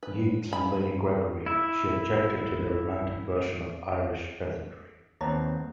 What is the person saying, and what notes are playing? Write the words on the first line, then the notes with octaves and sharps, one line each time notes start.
Yeats and Lady Gregory, she objected to their romantic version of Irish peasantry.
B4
B5
E4 E5
D#2 B3 C4 C#5 A5 A#5